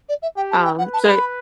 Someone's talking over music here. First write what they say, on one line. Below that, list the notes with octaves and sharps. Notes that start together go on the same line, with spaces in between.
um, so
D5
E5
G4 G5
A5
G5
B4 F#5
A5
B5